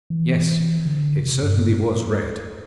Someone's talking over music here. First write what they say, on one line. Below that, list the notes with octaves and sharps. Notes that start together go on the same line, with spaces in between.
Yes! it certainly was red!
E3
D3
C3
G2
G#2